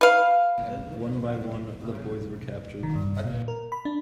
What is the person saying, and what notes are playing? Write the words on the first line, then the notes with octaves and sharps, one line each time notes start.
One by one the boys were captured.
B4 F5
D#3
G2
A#2
A#4
B5
D4